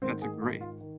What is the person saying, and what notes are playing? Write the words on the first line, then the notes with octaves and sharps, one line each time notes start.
That's a grea
G#2 D#3 C4 C5
G#4
F4
F4
D#3